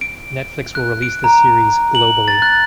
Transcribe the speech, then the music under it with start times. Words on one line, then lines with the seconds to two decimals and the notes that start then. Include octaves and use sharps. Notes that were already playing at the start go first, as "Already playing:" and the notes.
Netflix will release the series globally.
0.01 D7
0.75 F#6
1.02 D7
1.24 A#5
1.95 F#7
2.28 A6
2.42 F#6